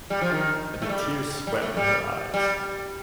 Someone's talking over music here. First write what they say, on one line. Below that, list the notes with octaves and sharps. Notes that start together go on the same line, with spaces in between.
And the tears swam in her eyes.
G3
F3
D#3
A3
G3
G3
A3
G3
G3